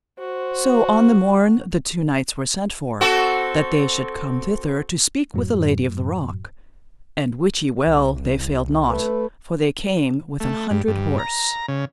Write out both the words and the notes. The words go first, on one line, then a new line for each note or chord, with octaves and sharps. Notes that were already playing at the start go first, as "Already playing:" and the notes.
So on the morn the two knights were sent for, that they should come thither to speak with the Lady of the Rock, and wit ye well they failed not, for they came with an hundred horse.
F#4 C5
C4 F#4 A4
F#2 A2 F#3
C2
A3 B4
A3
G2
G2
A#5
C#3